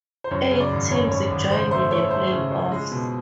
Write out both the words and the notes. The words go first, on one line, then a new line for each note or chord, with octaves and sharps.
Eight teams joined the playoffs.
C5
F#2 C#5
C#3
D5
G#1
F#2 C#5
G#1 C#5
G#1
C#3 C5
A3 C5
A3 C#5
A3 C5
C#3
F3
G#3
B2